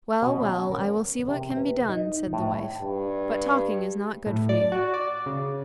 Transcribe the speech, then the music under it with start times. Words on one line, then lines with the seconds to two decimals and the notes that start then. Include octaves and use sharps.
'Well, well, I will see what can be done,' said the wife, 'but talking is not good for you.
0.22 B2
0.40 C#4
0.71 A#4
1.28 C3
1.57 B4
1.89 D#4
2.33 A2
2.81 G2
4.26 A2
4.49 D5
4.72 F#4
4.94 D5
5.26 C#3